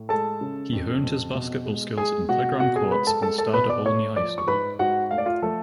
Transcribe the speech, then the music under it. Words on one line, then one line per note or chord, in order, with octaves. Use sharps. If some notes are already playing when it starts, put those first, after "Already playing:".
He honed his basketball skills in playground courts and starred at Olney High School.
Already playing: A2
G#3 A4 A5
C#3
F2
F2
B2
G#3
G#3 G#4 G#5
B2 F#4 F#5
B2 F#4 F#5
G#4 G#5
G#3 B4 B5
A4 A5
G#3 A4 A5
A4 A5
B2 B4 B5
D5 D6
A3 C#5 C#6
F3 D5 D6
C#6
G#2 B4 B5
G#2 F#4 F#5
A3 F5
D5
F4 F5
F3 A3 A4